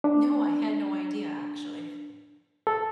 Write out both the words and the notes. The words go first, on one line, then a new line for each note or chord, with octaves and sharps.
No, I had no idea, actually.
D4
A4